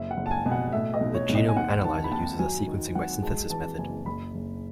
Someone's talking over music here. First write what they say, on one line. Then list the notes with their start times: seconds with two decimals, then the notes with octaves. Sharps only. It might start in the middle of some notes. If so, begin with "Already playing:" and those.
The Genome Analyzer uses a sequencing by synthesis method.
Already playing: F#1 E5
0.11 F#5
0.17 F#1
0.26 A5
0.31 G#5
0.45 B2 G#5
0.52 F#5
0.72 A2 E5
0.94 D#5
1.01 B1
1.15 C#5
1.29 B1
1.35 D#5
1.49 G#5
1.57 D#2 F#5
1.84 D#3 A5
2.04 B5
2.11 D#2 A5
2.39 F#3 G#5
2.67 D#3
2.95 F#3 F#5
3.22 G#3 A5
3.50 E3 A5
3.78 F#1 G#5
4.06 F#1 B5
4.35 F#1